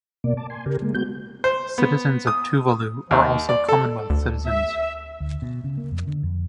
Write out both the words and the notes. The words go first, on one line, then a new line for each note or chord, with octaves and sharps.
Citizens of Tuvalu are also Commonwealth citizens.
B2 A#3 D5
A5 D6
G#5 C6
C#3 G4 A#4
G#3 A#3
G#3 B3 F#4 G6
C5
B3
D#6
D#2
D5
A4
D2
E5
D2
B2
C#3
A#3
F2
D3
F2